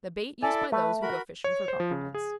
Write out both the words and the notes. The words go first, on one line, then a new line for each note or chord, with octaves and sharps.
The bait used by those who go fishing for compliments.
E4 A4 D5 G#5
A3 B4
F#4 A#4 B5
C#5
C5
F3
C#3
G#4